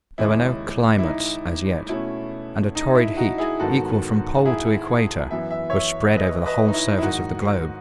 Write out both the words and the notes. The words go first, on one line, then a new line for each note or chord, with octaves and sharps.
There were no 'climates' as yet, and a torrid heat, equal from pole to equator, was spread over the whole surface of the globe.
D#2 C#3 G#3 C#4 E4
E4
D#4
B2 A3 C#4 E4
D#4
E4
D#4 F#4
E4 G#4
G#2 D#3 F#3 B3 F#4 A4
E4 G#4
F#2 E3 B3 E5
E5
C#5 E5
B4 D#5
B4 D#5
D#4
E4
E4
G#2 D#3 F#3 D#4 F#4